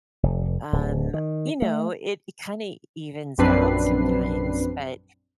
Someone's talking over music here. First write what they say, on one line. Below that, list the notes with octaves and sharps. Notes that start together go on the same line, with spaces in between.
um, you know, it it kinda evens out sometimes. But
F1
D1
D#3
A3
A#1 F#2 C4 D4 B4 C7